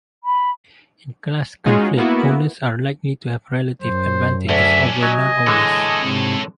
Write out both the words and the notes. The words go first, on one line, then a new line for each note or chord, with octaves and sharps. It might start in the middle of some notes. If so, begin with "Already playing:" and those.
In class conflict, owners are likely to have relative advantages over non-owners.
B5
G#3 C#4 D#4 F4 F#4 G#4
A#3 B3 E4 F#4
F#2 C5
D2 C#4 D4 E5
F#3 D#5 G#5
D3 E3 G#3 A4 C#5
G#2 C3